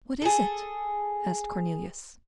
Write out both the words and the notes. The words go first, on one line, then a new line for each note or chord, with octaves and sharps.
"What is it?" asked Cornelius.
G#4 A4